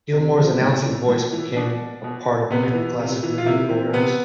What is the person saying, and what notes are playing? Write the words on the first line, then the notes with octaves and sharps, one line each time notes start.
Gilmore's announcing voice became a part of many classic radio programs.
C3
F3
A2 D4
E3
A2
E3
B2 D4
B2
C3 B3
E3
C3
E3
F4
C3 E4
E3 C4
C3 B3